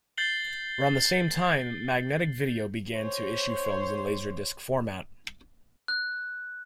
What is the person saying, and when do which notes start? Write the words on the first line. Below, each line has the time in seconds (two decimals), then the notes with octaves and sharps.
Around the same time, Magnetic Video began to issue films in laserdisc format.
0.17 G6 A6 C7 F#7 G7
2.97 C5 C#5
5.88 F#6